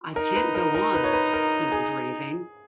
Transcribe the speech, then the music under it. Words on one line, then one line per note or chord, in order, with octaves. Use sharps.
"I can't go on," he was raving.
D#4 A#4
B4
A#4
A#4
B4
C#5
B4
A#4
G#4